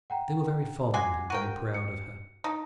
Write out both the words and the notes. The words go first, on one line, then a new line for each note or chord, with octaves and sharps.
They were very fond and very proud of her.
F#5 G5 A#5
G#3 F#4 G#5 D6 G#6 C7
F#4 A#4 G5 D#7
C#7
D#4 A5